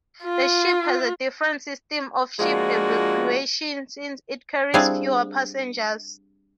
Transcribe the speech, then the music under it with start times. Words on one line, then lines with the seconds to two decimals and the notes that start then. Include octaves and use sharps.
The ship has a different system of ship evacuation since it carries fewer passengers.
0.24 F4
2.40 F3 G#3 A#3 D4 F4 F#4
4.74 G3 C4 D4 E4 G#4 F5